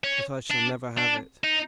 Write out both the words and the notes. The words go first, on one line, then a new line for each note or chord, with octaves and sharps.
"But I shall never have it."
C#4
D4
D4
D#4